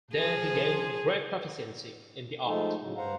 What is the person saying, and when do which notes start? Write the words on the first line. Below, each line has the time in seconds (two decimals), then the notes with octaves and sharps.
There he gained great proficiency in the art.
0.13 F3 G#4
2.46 F3 G#3 A3 D#4 A4
2.81 A2 C#3 F#3
2.97 G2 C5 F5 F#5 A#5